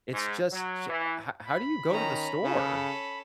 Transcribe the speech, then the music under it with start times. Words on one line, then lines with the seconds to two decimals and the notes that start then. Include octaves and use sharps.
it's just ja how how do you go to the store?
0.14 G#2
0.52 F#3
0.89 E3
1.46 B5
1.90 D#3 C#4 A#5
2.43 C#3 C#4 A4